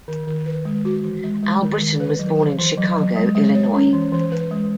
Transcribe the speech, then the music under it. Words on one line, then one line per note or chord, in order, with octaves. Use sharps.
Albritton was born in Chicago, Illinois.
D#3
D#3
B4
G#3
F#4
E3
G#3
G#3
D#3
D#3
B4
F#3
E3
E3
F#3
F#3
G#3
G#3
C#5
C#4
E3
E3
B4
G#3